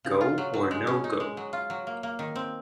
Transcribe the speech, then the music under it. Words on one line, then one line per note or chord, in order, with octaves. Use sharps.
Go Or No Go?
C#3
F4
F#3
F#3
G#3
C#4
D#4
G#3
F#3
F4
F#3
A#3
A#3
D#3
C4